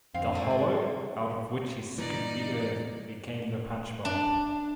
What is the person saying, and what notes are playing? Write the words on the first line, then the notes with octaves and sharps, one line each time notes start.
The hollow out of which he scooped the earth became the Punch Bowl.
F2 D3 C4 F5
G#2 D3 F#4
G2 A#2 E3 D#4 D5
D4